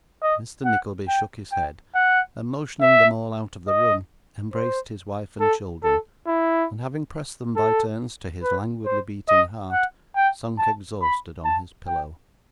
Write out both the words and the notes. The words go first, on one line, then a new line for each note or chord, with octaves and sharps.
Mr Nickleby shook his head, and motioning them all out of the room, embraced his wife and children, and having pressed them by turns to his languidly beating heart, sunk exhausted on his pillow.
D#5
F#5
G5
G5
F#5
E5
D#5
C5
A4
A4
E4
A4
B4
C5
D#5
F#5
G5
A5
B5
A5
G5